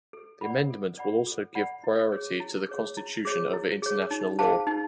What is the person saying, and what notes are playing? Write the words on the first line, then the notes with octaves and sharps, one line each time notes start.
The amendments will also give priority to the Constitution over international law.
A4
D5 F#5 B5
A4
D5 F#5 B5
A4
D5 F#5 B5
E4
G#4 C#5
E4
G#4 C#5
E4
G#4 C#5
E4
G#4 C#5
D#4
G#4 C5 F5 A5
D#4